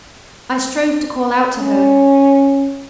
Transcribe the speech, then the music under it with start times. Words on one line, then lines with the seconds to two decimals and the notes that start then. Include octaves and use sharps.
I strove to call out to her.
1.59 C#4